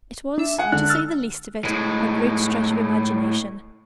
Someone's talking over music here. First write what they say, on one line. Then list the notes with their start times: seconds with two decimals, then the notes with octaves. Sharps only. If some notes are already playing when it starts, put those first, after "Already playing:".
It was, to say the least of it, a great stretch of imagination.
0.38 D4 E5
0.58 G#3 F#5 G#5
0.72 D3 F#6
0.89 E6 F6 A6
1.64 A2 G#3